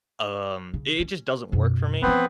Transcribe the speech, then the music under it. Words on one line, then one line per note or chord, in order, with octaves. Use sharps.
um i it just doesn't work for me.
C#3
C#4
F#2 B2
E3 F3 B3 C4 B4